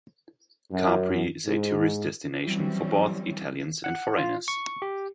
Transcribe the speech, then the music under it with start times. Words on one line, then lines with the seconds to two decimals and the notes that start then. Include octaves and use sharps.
Capri is a tourist destination for both Italians and foreigners.
0.72 F#2
1.46 G#2
2.42 E3 F#3 G3 C4 C#4
3.84 F#5
4.17 F4
4.48 C#6
4.82 G4